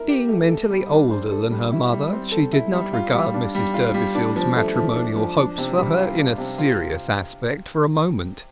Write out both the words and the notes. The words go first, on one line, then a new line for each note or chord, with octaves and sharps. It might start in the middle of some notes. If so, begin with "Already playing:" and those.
Being mentally older than her mother she did not regard Mrs Durbeyfield's matrimonial hopes for her in a serious aspect for a moment.
Already playing: E4 A#4
G4
A3
A4
G3
D4
C5
A4
G3
E4
G3
C4
A4
E4
G3
F4
G3
D4
G3
F4
G3
D4
F3
A3
F3
D4
F3
D4
C3
G3
F4
D4
C3
F4